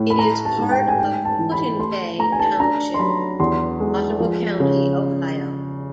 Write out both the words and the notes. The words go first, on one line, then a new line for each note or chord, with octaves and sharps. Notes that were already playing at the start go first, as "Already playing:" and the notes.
It is part of Put-in-Bay Township, Ottawa County, Ohio.
Already playing: A2
B5
A3 A#5
A5
G#2
G5
G#5
G#2 G5
A5
E3
B5
A3 C6
A3 A#5
G#5
A5
D4 A#5
C6
F#3 B5
E2 C6
G#3
F3
C#3